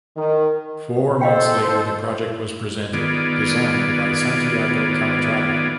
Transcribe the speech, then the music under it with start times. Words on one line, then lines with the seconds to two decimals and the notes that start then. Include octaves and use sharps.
Four months later the project was presented, designed by Santiago Calatrava.
0.17 D#3
1.21 A4 C5 D#5 F5 G5
2.93 D#3 B3 F4 G#4 D5